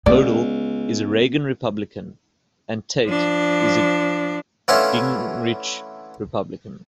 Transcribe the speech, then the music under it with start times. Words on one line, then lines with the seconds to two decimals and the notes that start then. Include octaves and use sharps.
Hodel is a Reagan Republican and Tate is a Gingrich Republican.
0.06 C#2 B3 D5
3.06 F3 D4
4.68 E3 A3 B3 C#4 D4 F4